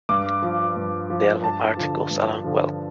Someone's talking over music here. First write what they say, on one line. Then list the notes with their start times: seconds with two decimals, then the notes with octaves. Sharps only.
The album art goes along well.
0.09 G2 D6
0.42 F3
0.77 G2
1.10 F3
1.44 G2 A5
1.77 D3 F3
2.11 G2
2.44 D3 F3